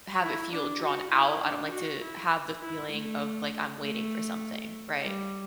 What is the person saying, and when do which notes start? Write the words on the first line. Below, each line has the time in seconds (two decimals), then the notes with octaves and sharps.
have it feel drawn out. I don't like to have the feeling of, like, I'm waiting for something, right?
0.22 E4
0.52 D4
0.82 F#4
1.11 E4
1.42 D4
1.71 F#4
2.02 E4
2.62 E4
2.92 A3
3.82 A3
5.02 G3